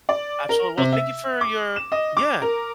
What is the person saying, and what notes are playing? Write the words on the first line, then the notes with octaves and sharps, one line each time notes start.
Absolutely. Well, thank you for your Yeah.
D5
A#4
C3
E5
D6
E7
D#5
D6
A#4